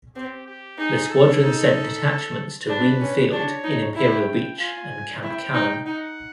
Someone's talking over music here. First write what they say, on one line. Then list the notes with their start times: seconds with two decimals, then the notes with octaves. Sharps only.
The squadron sent detachments to Ream Field in Imperial Beach and Camp Callan.
0.16 C4 G4
0.47 G4
0.78 D#4 G#4
1.10 A4
1.42 D#4
2.68 D4 B4
3.00 C#4
3.32 D4 C#5
3.64 D#4
3.95 E4 G5
4.59 F4 G#5
5.22 E4 G5
5.54 D#4
5.86 D#4 F#5